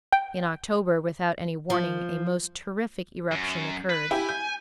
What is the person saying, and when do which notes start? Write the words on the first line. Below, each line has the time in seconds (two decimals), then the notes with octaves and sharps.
In October, without any warning, a most terrific eruption occurred.
0.12 G5
1.70 F3
3.31 F#2
3.90 B4
4.11 E4 G4 G#5
4.29 G6